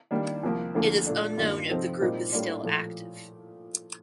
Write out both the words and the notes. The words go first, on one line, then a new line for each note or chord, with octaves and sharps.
It is unknown if the group is still active.
D#3 G3 A#3 D4
C2 C3 F3 A#3
D2 D3 F3 A#3
A#2 A3 D4
G2 D#3 A#3 D4 F4
C3 F3 C4 D#4 A4
A#2 G3 C4 D#4 A#4
A2 G3 A#3 D4 F4
A#2 F3 A3